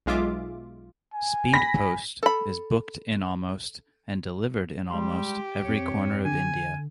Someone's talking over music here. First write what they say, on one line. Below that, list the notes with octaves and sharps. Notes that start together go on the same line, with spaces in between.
Speed Post is booked in almost and delivered in almost every corner of India.
B1 G#3 F4 E5 D6
G#5
B5 A#6 B6
A4 B5
G3 G#3 G4 C6
F2 C4 C#5
D3 G#5